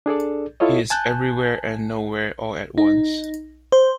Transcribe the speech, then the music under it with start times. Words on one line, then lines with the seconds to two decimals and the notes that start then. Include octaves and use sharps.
He is everywhere and nowhere all at once.
0.06 D4 G#4 A4 D5
0.60 E4 F4 A4 C#5 D#5
0.90 G#5 A5 F#6 G6
2.78 D#4
3.72 C5